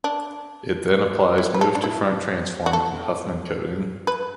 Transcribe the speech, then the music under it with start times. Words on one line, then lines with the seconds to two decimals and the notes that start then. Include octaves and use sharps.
It then applies move-to-front transform and Huffman coding.
0.04 D4
1.38 E4
1.54 B4
1.61 A4
1.75 D4
1.84 E4
2.66 F#4
2.73 A4
4.07 B4